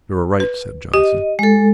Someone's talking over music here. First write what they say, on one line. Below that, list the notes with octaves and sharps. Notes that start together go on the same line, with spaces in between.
"You are right," said Johnson.
B4
G4 D#5
G#3 A4